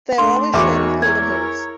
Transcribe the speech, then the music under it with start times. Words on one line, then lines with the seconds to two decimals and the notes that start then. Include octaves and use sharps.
They are always shown with cloven hooves.
0.18 A3 D4 C6
0.54 E2 D#3 F#4 C#5 D6
1.02 E4 A#4 C#5 G#6